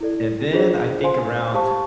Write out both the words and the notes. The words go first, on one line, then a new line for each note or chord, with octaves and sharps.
and then I think around
E4 A4 D5
D4 F4 G#4 C5 D#5
C5 F5 G#5 C6
G4 C5 F5 A5 C#6